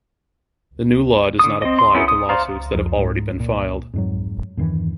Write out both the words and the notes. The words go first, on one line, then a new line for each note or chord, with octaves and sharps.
The new law does not apply to lawsuits that have already been filed.
D3 D#6
C4 D#5
C6
B3 C#4 D#4 E4 G#4
D#6
C5 D5 F5 A#5
F2
G#2
A#2
F2 G#2 F#3
E2 G2 D#3 E3